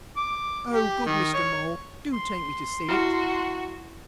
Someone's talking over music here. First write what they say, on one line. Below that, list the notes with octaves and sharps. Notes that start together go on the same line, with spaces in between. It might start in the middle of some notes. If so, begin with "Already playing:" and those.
'Oh! good Mr. Mole, do take me to see it!'
D6
G4
D#3
C#5
C6
E4 F#4